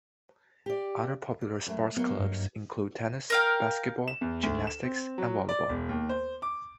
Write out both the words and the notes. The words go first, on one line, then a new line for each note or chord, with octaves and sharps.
Other popular sports clubs include tennis, basketball, gymnastics, and volleyball.
G4 D5
D5
F#2 F#3 A3
F#3 A#3 B3 D#4
G2
A#4 F5 G5
E7
E2
D2
E7
C4
F#3
D5
E1
D#2
C5
D6